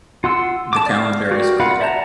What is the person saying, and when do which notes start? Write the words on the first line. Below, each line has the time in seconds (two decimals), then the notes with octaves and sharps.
The calendar is clear.
0.24 F4 F#5 C6 E6
0.73 A5 D6
0.86 D5 F5
1.31 F#4 G4 A#4 D5
1.60 F4 A#4 F5 F#5 B5
1.80 D5 E5 F#5 A5 A#5